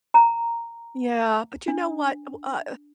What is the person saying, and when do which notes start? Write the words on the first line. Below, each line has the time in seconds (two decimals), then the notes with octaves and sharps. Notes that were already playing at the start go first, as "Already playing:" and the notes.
Yeah, but, you know what, uh,
0.14 A#5
1.68 D4